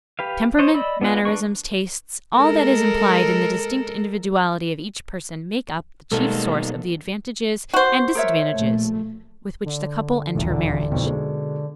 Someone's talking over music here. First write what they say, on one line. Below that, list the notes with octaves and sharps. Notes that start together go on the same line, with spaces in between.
Temperament, mannerisms, tastes--all that is implied in the distinct individuality of each person--make up the chief source of the advantages and disadvantages with which the couple enter marriage.
G4 B4 F5
C5 C#5 D#5
D5 D#5 B5 E6
B3 D4 F4 B4
G3 D4 B4 C#6
G#3 A4 A#4
B1 G3 G#3 A#3 D#4 A4
F#4 C5
A#4 C#5 E5
A#1 A3
D3
D#1 B1 E2
D3
B1 F2 B2
B2 G#3